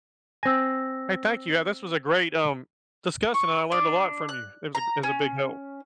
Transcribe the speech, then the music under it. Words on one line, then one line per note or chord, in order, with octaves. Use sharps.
Hey, thank you, yeah, this was a great, um, discussion, and I learned a lot from you. It was a g it was a big help.
C4 G#5 E6 A#6
C#6
D4
F#6
A#5
C#4